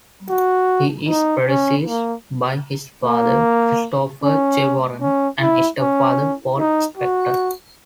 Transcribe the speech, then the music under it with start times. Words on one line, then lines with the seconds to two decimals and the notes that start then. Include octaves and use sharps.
He is predeceased by his father, Christopher J. Warren and step father, Paul Spector.
0.29 F#4
1.08 D#4
1.47 C#4
1.86 A#3
3.04 A#3
4.23 C#4
5.01 C#4
5.40 E4
5.79 C#4
6.58 D#4
6.97 F#4